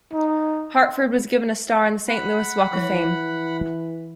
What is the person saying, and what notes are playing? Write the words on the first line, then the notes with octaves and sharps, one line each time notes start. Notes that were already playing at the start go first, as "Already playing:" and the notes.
Hartford was given a star on the Saint Louis Walk of Fame.
D#4
F#5 B5
E3 F3 C#5